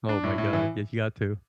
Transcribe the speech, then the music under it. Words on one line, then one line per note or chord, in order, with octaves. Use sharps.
Oh, my god, ye you got to.
D4
A2
A2
E3